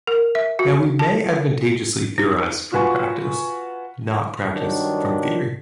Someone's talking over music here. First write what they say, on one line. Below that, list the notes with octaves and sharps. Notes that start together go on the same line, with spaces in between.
Now we may advantageously theorize from practice, not practice from theory.
A#4
E5
F#4
A5
D#4
F4 F#4 B4 G#5 C#6
G2 D#3 F#3 D4